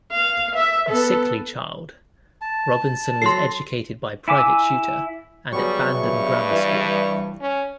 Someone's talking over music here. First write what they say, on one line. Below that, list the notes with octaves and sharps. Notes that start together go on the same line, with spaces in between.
A sickly child, Robinson was educated by private tutor and at Bandon Grammar School.
F5
E5
B3 A4
A5
F#3 A4 C6 C7
E4 G#5 D6 E6
F#3 G3 B3 G#4 C#6
G2 E5
E3 G3
C#4